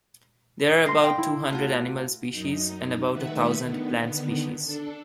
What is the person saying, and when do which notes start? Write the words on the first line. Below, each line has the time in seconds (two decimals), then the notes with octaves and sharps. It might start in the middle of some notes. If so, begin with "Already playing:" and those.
There are about two hundred Animal species, and about a thousand plant species.
0.86 G3 F4 A4 C6 A#6 C7
1.01 F5 G5
1.18 E4
1.50 A3 F4 F#4
2.32 F#2 D#4
3.12 D#3 A3 B4 E5 F#5
3.60 D3 D#3 B3
4.65 D4 A4